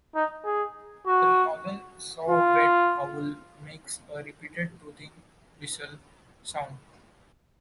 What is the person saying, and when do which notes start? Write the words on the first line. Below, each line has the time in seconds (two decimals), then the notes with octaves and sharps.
The northern saw-whet owl makes a repeated tooting whistle sound.
0.15 D#4
0.45 G#4
1.07 F#4
2.30 F4